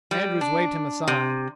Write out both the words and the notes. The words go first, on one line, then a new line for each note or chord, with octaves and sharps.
Andrews waved him aside.
G3
D4
C3